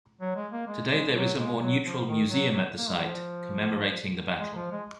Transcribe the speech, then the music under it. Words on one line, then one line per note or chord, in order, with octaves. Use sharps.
Today there is a more neutral museum at the site commemorating the battle.
F#3
G#3
A#3
G#3
G#3
F#3
G#3
F#3
F3
D#3
F#3
F#3
A#3
G#3
F3
G#3
F3
G#3